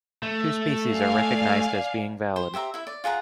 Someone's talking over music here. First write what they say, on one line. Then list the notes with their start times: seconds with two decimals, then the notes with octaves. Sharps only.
Two species are recognized as being valid.
0.23 A3
0.90 D5 F5 G#5
2.36 C5
2.54 G4 C5 E5 A#5
2.74 E4 E5
2.87 D5
3.04 F4 G#4 F#5 A#5